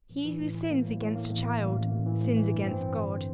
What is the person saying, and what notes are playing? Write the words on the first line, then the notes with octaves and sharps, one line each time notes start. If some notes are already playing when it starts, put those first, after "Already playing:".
He who sins against a child, sins against God.
A1
E3
A2
E3
A#3
A2
A2
A#3
A1
A#3
A1
A1
A1
E3
A2
E3
G2
C4
C4
D3